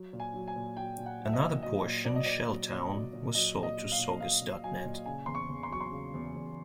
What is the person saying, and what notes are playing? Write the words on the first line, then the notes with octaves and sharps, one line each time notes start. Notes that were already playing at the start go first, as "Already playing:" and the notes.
Another portion, ShellTown, was sold to Saugus dot net.
Already playing: F#3
A#2
G#5
F#3
G#5
A#2
F#3 G5
A#2
F#5
F#3 E5
D#5
A#2
F#3 D#5
A#2
F#3 D5
D#5
A#2 D5
F#3
A#2
F#3
A#2
F#3 D#5
A#2
D#5
F#3
F5
A#2
F#3 F5
A#2
F#3 G#5
A#2
C#3 G#5
E2 C6
C#6
E2
C6
F#3 C#6
C6
C#3
E2
E2